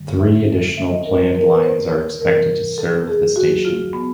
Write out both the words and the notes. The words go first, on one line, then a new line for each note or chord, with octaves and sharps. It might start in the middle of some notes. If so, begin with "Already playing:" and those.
Three additional planned lines are expected to serve the station.
Already playing: F#2 D3 G3
E5
E5
D#5
A#2 G3 A#4
A#4
B4
C5
F2 C3 E3 G3 A#4
A4
G#4
E2 C#3 F#3 F#4
F4
B3